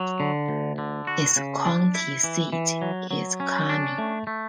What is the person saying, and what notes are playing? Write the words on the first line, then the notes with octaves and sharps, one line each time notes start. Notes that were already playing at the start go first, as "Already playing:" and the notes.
Its county seat is Carmi.
Already playing: F#3
D3
D2
D3
F#4
C#3
D4
E4
E3
E3
F#3
F#3
C#4
D4
A3
A3